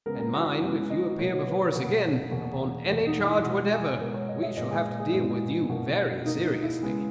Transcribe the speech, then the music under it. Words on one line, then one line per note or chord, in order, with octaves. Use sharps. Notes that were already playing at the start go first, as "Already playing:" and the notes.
And mind, if you appear before us again, upon any charge whatever, we shall have to deal with you very seriously!'
C#3 G#3 B3 A#4
A#4
F#4
E4
C#3 G#3 B3 E4
D#5
B2 F#3 A#3 C#5
B4
B2 F#3 A#3
E2 B2 A#3
E2 B2 A#3
D#4
E4
B2 G#3 B3 F#4
G#4
B2 G#3 B3 A#4
C#5
D#5
E5
A#2 G#3 B3 D#5
G#4
G#4
A#2 G#3 B3 E4
B2 A#3
B2 A#3 D#4
D#4
E4
C#3 G#3 B3